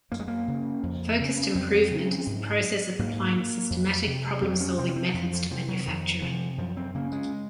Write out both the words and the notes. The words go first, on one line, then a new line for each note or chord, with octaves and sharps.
Focused Improvement is the process of applying systematic problem solving methods to manufacturing.
F#2 A#3
G#3
A#3
C#3
F2
C#3
F2 C4
C#3
G#2
G#2 A#3
F2
C3
F2 C4
C#4
C3 C4
C#4
C4
F2 F3
F3
C3 F3
F#3
F2 D#3
C3 F3
F#2 F3
C4
C#3 A#3
G#3